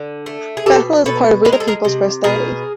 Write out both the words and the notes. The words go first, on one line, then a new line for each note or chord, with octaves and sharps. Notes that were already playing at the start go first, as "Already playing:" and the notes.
Bethel is a part of "We The People's" "First Thirty".
Already playing: D3
A3
G#4
B2 G4 A4
B2 A4 B4
G#3 B4
A#4
A4
G#4 A#4
C3
B2 G#4 A#4